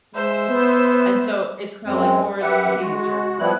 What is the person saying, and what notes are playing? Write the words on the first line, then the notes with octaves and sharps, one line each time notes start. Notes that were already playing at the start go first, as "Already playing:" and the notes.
And so, it's kinda, like or the teenager
G#3 C5 E5
B3
F#2 G#3 C4
F#2 G4 B4 E5 F#5
G#3 F#4
A2 F3 G3 B3 E4 F#6